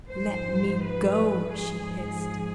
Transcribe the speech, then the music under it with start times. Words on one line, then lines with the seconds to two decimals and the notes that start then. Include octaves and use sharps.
"Let me go!" she hissed.
0.10 G#2 F3 C5
0.84 B4
1.56 G#2 F3 G#4